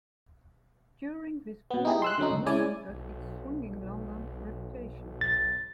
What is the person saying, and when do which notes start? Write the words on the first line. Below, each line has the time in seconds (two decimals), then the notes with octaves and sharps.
During this period, London got its "Swinging London" reputation.
1.71 B2 B3
1.85 D#4 E4 G4 G#4
2.02 C6 E6 F#6
2.18 D3 F#3 C#4 D#4
2.31 C#2
2.46 G#3 C#4 E4 D5 G#5
2.89 B1
5.21 A6